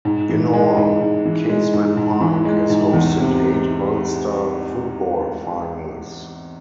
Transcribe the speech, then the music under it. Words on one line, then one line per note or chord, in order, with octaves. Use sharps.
In all, Casement Park has hosted eight Ulster football finals.
G#2
E3
G#3
G#2
G#2
E3
G#3
G#2
G#2
E3
G#3
G#2
E2
C3